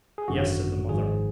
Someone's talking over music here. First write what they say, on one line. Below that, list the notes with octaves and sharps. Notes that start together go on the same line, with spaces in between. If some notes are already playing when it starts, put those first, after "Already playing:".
"Yes," said the mother.
G#4
G#1 F#2 D3 F#4
G#1 G#2 F3 G#4